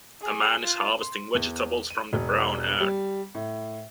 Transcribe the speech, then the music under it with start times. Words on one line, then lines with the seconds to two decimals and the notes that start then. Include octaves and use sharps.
A man is harvesting vegetables from the brown earth.
0.22 G#4
0.63 F4
1.01 C6
1.35 E2
1.90 D#7
2.13 E1
2.80 G3
3.34 A2